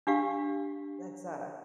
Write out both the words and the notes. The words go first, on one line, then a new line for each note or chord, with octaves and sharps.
that's a
D4 G4 F5